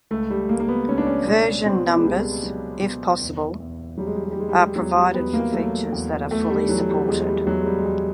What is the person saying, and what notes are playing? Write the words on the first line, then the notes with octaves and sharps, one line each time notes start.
Version numbers, if possible, are provided for features that are fully supported.
C#2 A3
G3
C#2 A#3
A#3
B3
C#2 C#4
D4
C#4
B2 C#4
B2 C4
B3
G#3
C#2 G3
F#3
B2
E2
E2
F#3 G3
G#3
G3
G#3
G3
F#3 G#3
G3
G#3
G3
E2 F#3
G3
E2 B3
A#3
F#3 A3
E2
E2 A3
G3
E3 F#3
G3
E2 G#3
G3
E2 F#3
G#3
G3
G#3
E2 G3